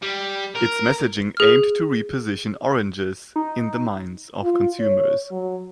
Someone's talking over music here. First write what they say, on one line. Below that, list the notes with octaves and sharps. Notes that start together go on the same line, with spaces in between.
Its messaging aimed to reposition oranges in the minds of consumers.
G3
A#4
G#4 F6
D#4
F4
C#5
F#3